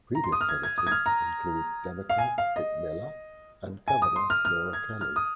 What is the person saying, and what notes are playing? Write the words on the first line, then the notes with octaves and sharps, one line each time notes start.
Previous senators include Democrat Vic Miller and Governor Laura Kelly.
A#5
C6
D#6
F6
G#6
G#6
D#6
G#6
F6
A#5
F5
G#5
F5
D#5
G#5
D#6
C6
F6
F6
G#6
F6
D#6